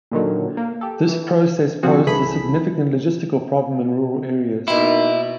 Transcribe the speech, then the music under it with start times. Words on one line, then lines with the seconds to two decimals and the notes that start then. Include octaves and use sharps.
This process poses a significant logistical problem in rural areas.
0.11 A#2 D3 D#3 F#3
0.57 A#3
0.81 G4 A4
1.09 E3
1.83 C3 F3 C4 F#4 G#4
2.07 C2 E3 G#4 A4 B5
4.68 B2 A#3 D#4 E4 C6 D6